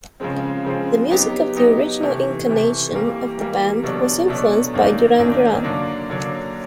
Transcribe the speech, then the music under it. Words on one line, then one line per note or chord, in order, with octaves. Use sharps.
The music of the original incarnation of the band was influenced by Duran Duran.
C#3 F3 G#3 C4
C#3 F3 G#3 C4
F#3 B3 D#4 G4
F#3 B3 D#4 G4
C3 E3 A3
C3 E3 A3
E3 G3 A#3
E3 G3 A#3
B2 F#3 A3 D4
B2 F#3 A3 D4
F#2 D#3 F#3 A#3 D4
F#2 D#3 F#3 A#3 D4
D3 F#3 A#3 D4
D3 F#3 A#3 D4